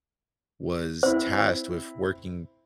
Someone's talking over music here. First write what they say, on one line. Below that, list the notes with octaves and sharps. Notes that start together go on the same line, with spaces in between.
was tasked with working
C4 E4 C5